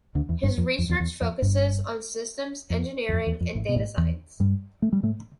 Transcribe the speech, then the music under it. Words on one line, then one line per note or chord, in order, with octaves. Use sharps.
His research focuses on systems engineering and data science.
D2 D3
E2
G1 G2
F2
F2
E2
E2
F2
G1 G2
F2
E2
F2
E2
F2
A1 A2
B2
A1 A2
E2 E3
G2 G3
A3
G3
A2 A3